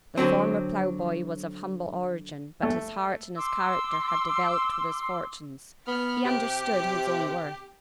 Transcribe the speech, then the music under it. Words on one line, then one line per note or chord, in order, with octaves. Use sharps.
The former ploughboy was of humble origin, but his heart and his character had developed with his fortunes; he understood his own worth.
D3 F#3 C4
A3
C6 D6 E6
B3 F6
C3 G4